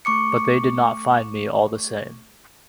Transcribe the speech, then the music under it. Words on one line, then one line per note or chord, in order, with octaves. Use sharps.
But they did not find me all the same.
A3 C#6 D6 C#7